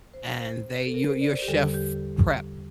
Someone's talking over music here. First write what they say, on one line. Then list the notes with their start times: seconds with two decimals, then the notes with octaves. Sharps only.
and they you're you're chef prep.
0.14 C5
0.41 C5
0.86 A4
0.94 A#4
1.08 C5
1.21 D5
1.34 C5
1.42 G4
1.48 E2 D3 G3 A4
1.74 G4